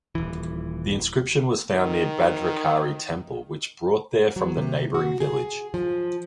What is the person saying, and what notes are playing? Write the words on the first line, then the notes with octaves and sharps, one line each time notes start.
The inscription was found near Bhadrakali Temple which brought there from the neighbouring village.
D#1 E3
D#3
F#3
C3
F#4
G#4
F3